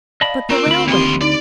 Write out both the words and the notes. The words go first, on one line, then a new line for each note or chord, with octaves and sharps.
"But the railway!"
D5 D#5 F5 A5 B5
C4 F4 A#4 A#5
D2 B5
D#2 C4 G4 C6
D#4 D5